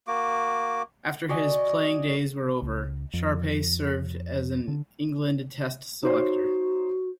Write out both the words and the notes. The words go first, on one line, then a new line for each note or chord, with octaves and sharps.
After his playing days were over, Sharpe served as an England Test selector.
A#3 F#4 D6
F#4 D5 D#5 G#5
C#2
F2
D3
D#4 F#4 C5 C#5